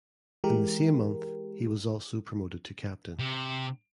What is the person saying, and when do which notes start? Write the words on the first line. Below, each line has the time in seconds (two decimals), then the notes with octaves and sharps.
In the same month he was also promoted to captain.
0.44 E3 G#3 G4 A#4
3.20 C3